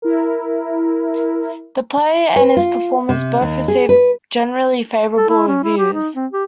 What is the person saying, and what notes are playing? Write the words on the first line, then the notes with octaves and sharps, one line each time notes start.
The play and his performance both received generally favorable reviews.
E4 A#4
B4
F4
C3
D#2
G#4
B4
A4
E4
C#4
E4
G4
D#4
C4
G4